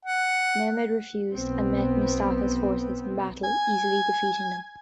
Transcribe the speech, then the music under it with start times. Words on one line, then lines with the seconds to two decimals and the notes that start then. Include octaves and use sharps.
Mehmed refused and met Mustafa's forces in battle, easily defeating them.
0.06 F#5
1.32 B1 B3 C4
3.43 G#5